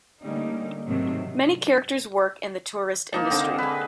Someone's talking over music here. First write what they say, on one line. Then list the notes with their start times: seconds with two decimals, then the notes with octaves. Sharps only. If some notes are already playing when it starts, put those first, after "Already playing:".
Many characters work in the tourist industry.
0.21 D3 G3 A3 A#3 C#4 D#4
0.86 G#2 C3 D#3 F#3 A3 C4
3.12 A#3 D#4 A5
3.30 D3 C4 D#5
3.58 G#4 B4